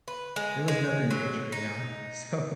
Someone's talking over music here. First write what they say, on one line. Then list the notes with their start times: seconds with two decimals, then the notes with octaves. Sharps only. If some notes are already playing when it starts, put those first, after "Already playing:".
it was nothing major, you know? So,
0.08 B4
0.36 G#3
0.68 G#3
1.11 F#3
1.52 D#4